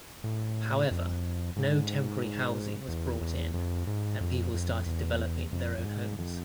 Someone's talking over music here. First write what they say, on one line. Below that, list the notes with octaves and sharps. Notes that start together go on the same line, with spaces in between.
However, no temporary housing was brought in, and people started developing their own homes.
A2
F2
G#2
E2
E2
F2
G#2
F2
F2
E2
F2
F2
G#2
F2